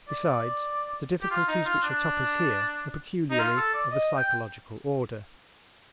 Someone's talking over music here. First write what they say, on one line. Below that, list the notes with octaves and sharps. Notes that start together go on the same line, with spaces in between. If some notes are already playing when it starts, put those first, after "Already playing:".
Besides, the difficulties which atop us here are peculiarly of a psychological order.
D5
G4
F4
D#4
F4
D4
D#4
F4
A4
D5
D#5
G5